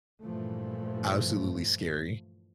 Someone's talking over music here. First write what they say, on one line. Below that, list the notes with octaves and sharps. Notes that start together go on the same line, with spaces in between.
absolutely scary.
G2 A#2 E3 F3 A3